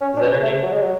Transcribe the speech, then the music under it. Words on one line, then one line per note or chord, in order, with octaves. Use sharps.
is that her name?
C#4
D4
C#4
A3
F#3
G#3
F#3